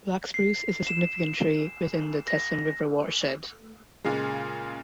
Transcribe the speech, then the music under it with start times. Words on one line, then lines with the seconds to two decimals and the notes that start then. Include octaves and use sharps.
Black Spruce is a significant tree within the Teslin River watershed.
0.34 C7
0.87 E7
2.28 A#6
4.04 A#2 C#3 G#3